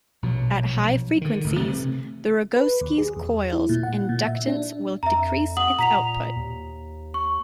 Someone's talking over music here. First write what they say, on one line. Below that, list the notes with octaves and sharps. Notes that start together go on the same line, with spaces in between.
At high frequencies, the Rogowski coil's inductance will decrease its output.
A#1 B2 F3 F#3
D3 D#3
G#1 D2
C3 E3 A3
B4
D#2
G#4
E2
E4
A#2
F#5
A#2
E5
D4
F2 E5 A#5
F#5 D#6 F#7
A#2 A#5 B6 F7
D#2
C#6